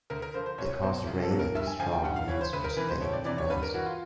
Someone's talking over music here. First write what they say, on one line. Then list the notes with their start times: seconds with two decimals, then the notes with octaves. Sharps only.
It caused rain and strong winds for Spain and France.
0.10 D2 A#4
0.22 A#4
0.34 D3 F3 C5
0.46 C5
0.58 C2 C#5
0.71 C#5
0.82 B2 F#3 C5
1.07 C2
1.22 A4
1.31 B2 F#3
1.39 A#4
1.55 G2 E5
1.67 G#5
1.79 D3 F3 G#5
1.92 G5
2.04 G2 F#5
2.16 F5
2.28 E3 C#5
2.41 C5
2.53 D2 B4
2.64 A#4
2.77 C3 E3 B4
2.88 C5
3.01 F2 C#5
3.13 D5
3.25 C3 E3 D5
3.38 C#5
3.50 G2 B4
3.63 A#4
3.74 E3 F#4
3.86 F4